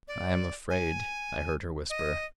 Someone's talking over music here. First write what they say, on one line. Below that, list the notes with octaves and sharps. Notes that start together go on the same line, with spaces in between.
"I am afraid!" I heard her whisper.
D5
G#5
D#5